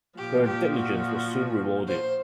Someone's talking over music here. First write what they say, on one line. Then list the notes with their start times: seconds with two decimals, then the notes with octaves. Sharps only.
Her diligence was soon rewarded.
0.18 A#2 F3 G4
0.46 G4
0.75 F#4
1.88 C5